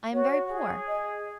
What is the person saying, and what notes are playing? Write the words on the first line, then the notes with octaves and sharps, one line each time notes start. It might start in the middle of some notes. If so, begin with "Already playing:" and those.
I am very poor.
F#4 C#5
G#4
D#5